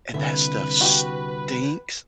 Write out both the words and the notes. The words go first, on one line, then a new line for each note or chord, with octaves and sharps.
and that stuff stinks.
C2 D3 B4 E5
F#4 G4